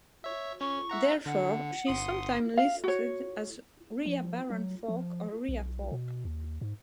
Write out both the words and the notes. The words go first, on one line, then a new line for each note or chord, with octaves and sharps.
Therefore she is sometime listed as Ria Baran-Falk or Ria Falk.
C#5 E5
C#4 C#6
E5 F#5 A#5
D3 F#5
G1 C6 D#6
F5
F#4 C#5
F3
F#3
F3
B1
B2
D#2
G#2